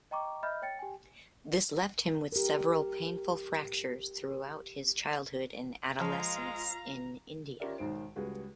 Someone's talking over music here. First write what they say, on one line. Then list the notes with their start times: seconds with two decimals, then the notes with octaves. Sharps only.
This left him with several painful fractures throughout his childhood and adolescence in India.
0.11 D#5 G5 A#5 C#6 D6
0.43 D#5 E5 B5 F6 G6
0.62 C#5 G5 A6 C#7
0.79 G4 G5 G#5
2.32 G4 A#4
6.00 F3 G#3 F4 F5 A#5
7.60 C#4 F4 G4 A#4 D5 E5
7.78 B1 G#2 D#3 C5 D7
8.16 C#2 G3 F#4 G#4 B4